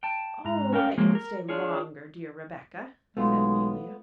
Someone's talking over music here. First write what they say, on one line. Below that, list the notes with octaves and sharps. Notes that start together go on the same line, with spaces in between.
"O that you could stay longer, dear Rebecca," said Amelia.
G5 A5
G#2 A#5
C#4 A#4 F5 G5
F3 F#3 G#3 A#3
A#4
D4 F4 G#4 C#5
B1 G#3 A3 B3 F4